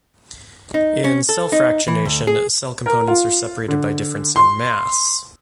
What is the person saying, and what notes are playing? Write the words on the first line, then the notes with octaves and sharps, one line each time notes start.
In cell fractionation, cell components are separated by difference in mass.
D#4
C#4
A4
D#4
E3
D2
G#4
A#4
F4
D3
C6